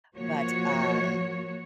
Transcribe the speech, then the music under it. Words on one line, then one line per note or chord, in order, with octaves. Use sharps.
but, uh,
F3 A#3 F#4 C#5